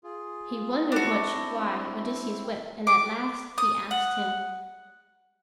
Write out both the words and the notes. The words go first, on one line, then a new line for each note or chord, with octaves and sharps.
He wondered much why Odysseus wept, and at last he asked him.
F4 G#4
C4 D4 E4 F#4
D6
D#6
F#5